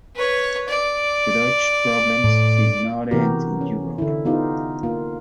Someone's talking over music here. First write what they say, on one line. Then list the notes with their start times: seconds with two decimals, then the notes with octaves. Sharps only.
The Doge's problems did not end in Europe.
0.16 B4 C#5
0.68 D5
2.24 A2
3.11 C3 E3 B3 F#4 G4 A#4
3.61 C#4
3.98 D3 E4
4.25 B3 D#4 F4 G4
4.83 A#3 F4